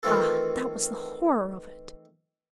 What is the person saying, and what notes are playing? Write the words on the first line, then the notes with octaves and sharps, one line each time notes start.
Ah, that was the horror of it!
D#3 E3 A3 C4 F4 A4